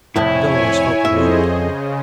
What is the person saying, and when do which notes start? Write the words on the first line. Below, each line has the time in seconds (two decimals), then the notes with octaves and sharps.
The Delawares felt relieved.
0.16 C2 F2 A2 E4 C#5 G#5
1.05 F2 G#4 C5 D#5 E5
1.49 C#3